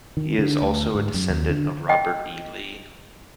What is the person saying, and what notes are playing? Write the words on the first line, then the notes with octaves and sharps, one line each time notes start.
He is also a descendant of Robert E. Lee.
D#3
D3
D2
G#2
F#2
D#2
D3
D#5 G5